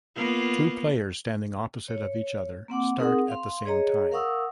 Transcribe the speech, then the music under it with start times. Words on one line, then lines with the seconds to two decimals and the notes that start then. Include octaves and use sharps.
Two players standing opposite of each other, start at the same time.
0.15 A#3 B3 F4
1.88 C#5
2.68 A#3 C4 F#5 D6
2.98 C4 D#4 G#4 A#4 F#5 D#6
3.28 F5 C6
3.66 G#4 C#5 D#5 A#5
4.11 A#4 F5 F#5 C#6 D#6 E6